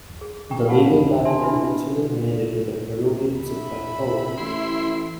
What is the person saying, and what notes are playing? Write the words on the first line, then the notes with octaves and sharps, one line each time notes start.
The legal battle eventually made it to the Peruvian Supreme Court.
G#4
G5 A#5 C#6
F5 F#5 A5 B5
D4 E5 G#5 A5 C6
D4 E4 B4 E5 B5 C6
E5 B5
A1 E4 C6